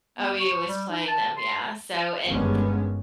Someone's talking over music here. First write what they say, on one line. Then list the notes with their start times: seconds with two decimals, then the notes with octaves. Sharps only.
OU was playing them, yeah, so, and
0.18 B3
0.40 C#6
0.68 G3
0.89 D#4
1.08 A5
1.37 C6
2.29 G1 G2 D#3 G#3 B3 C#4